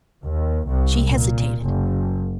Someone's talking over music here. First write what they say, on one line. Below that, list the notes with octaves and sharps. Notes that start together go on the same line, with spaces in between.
She hesitated.
D#2
C2
A#2
F#1